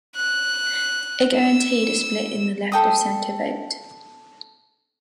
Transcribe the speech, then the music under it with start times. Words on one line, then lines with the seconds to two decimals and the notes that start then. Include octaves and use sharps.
It guaranteed a split in the left-of-centre vote.
0.16 F#6
1.37 E6
2.72 A4 G5 D#6